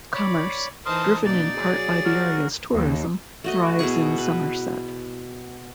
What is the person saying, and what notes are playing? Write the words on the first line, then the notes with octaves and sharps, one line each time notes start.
Commerce, driven in part by the area's tourism, thrives in Somerset.
C#5 D5 B5
E3 D#4 A#4 C5 A5 C6 D#6
B2 A#3 D4 D#4 D5 A6
F#3 G#4
F#4 A#4
D#2
A3 F#4 D#5
B2 E4 G#4 C#6
B4